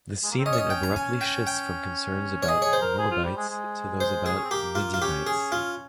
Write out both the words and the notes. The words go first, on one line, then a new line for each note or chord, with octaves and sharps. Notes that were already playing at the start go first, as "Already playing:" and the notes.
The scene then abruptly shifts from concerns about Moabites to those about Midianites.
G#3
A#3
C4
C#4 D#5
C#5
D#5
G5
A#5
G#5
G5
G5
C#5
G#4 D#5
G#4 C#5
C5
A#4
G#4
F4
G3
G#3
G#3
C5
G#4
C#4
C4
A#3 G4
F4
F4
C#4 G4
G#4
F4